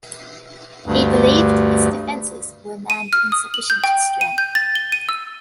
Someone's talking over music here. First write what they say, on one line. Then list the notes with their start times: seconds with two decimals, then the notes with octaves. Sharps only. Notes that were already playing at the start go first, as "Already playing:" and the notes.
He believed his defenses were manned in sufficient strength.
0.86 D2 G2
2.90 D#7
3.13 F6
3.32 D#6
3.54 F#7
3.70 G6
3.84 G5
4.21 D#7
4.38 G6
4.55 A6
4.75 G7
4.92 D#7
5.09 E6